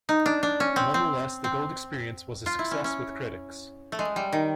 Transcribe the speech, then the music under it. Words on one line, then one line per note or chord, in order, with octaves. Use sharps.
Nonetheless, "The Gold Experience" was a success with critics.
D#4
D4
D4
C#4
C4
C4
C4
F4
E4
C#4
C#4
A3
G#3
G3
D#3